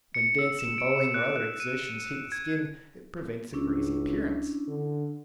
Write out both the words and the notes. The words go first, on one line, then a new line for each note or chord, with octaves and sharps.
When dancing, bowling or other exertions heat the skin, it prevents a greasy appearance.
C#7
E6
E7
D7
F#6
F#6
D#7
G#6
C#2 C#4 D4 E4
D3